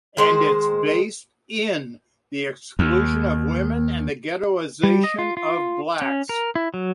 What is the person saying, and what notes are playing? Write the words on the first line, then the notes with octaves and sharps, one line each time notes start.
And it's based "in" the exclusion of women and the ghettoization of blacks.
D#3 G#3 C5
D#2
G3
D#5
F4
F4
C#4
A#4
E4
F#3